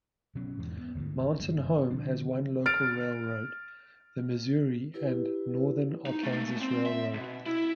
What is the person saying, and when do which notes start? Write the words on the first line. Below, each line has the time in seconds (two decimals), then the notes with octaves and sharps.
Mountain Home has one local railroad, the Missouri and Northern Arkansas Railroad.
0.35 B2 F#3 C#4
0.59 E2 G#2 E3
0.79 B3
0.95 G1 D2 G#2 E3
1.40 F#1 G2 D#3 A#3
1.90 D3 F3 D4
2.66 F6 A6 D7
4.94 E4 G4 B4
6.07 D#4
6.23 A3 A#3
6.61 C4
6.86 E5
7.13 B1 B2
7.46 E4